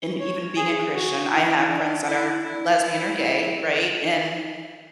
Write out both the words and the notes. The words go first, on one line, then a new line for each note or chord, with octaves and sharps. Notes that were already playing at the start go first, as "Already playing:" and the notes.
and even being a Christian, I have friends that are lesbian or gay, right? And,
C#5
G#4
F#4
E4
D4
E4
E4
E4